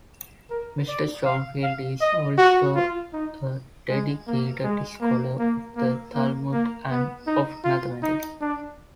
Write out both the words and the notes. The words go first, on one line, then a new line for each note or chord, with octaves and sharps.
Mr Schoenfield is also a dedicated scholar of the Talmud and of mathematics.
A#4
D5
F5
F5
D#5
F#4
F4
D#4
G#3
A#3
G#3
A#3
A#3
A#3
A#3
A#3
B3
D#4
F4
D#4
D4